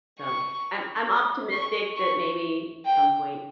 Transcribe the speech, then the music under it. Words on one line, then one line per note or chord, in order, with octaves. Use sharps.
So I'm I'm optimistic that maybe some point
C#6
C#6
C#6
G5